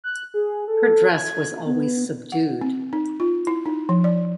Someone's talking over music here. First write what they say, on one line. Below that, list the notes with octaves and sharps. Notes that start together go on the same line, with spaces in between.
Her dress was always subdued.
F#6
G#4
A4
G#6
B3
F#5
C4
D#4
F4
E4
D#4
F3
D5